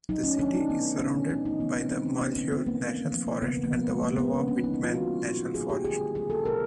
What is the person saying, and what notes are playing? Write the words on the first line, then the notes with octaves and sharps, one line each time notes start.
The city is surrounded by the Malheur National Forest and Wallowa-Whitman National Forest.
F#3 D#4
A3 C#4
D#3 D4
D#3 D#4
F#3 B3
A3
A#2 C#4
A#2
E3 D#4
A3 D#4
C#3 B3
C#3 C4
E3 C4
A3 C#4
C#3 B3
C#3 C4
G#3 B3
D#3 A#3
G#3
D#3
F3
A#3
C#3 B3
C#3
A#3
F3 B3
G#3
C#3 A#3
C#3 B3
F#3 C#4
A#3 D4
D#3 D#4
B3
D#3 F4
G3 F#4
A#3
A#2
A#2
F3 G#4
A3 G4
D3 G#4
D3
F#3 G#4
A#3 A4
B2 A#4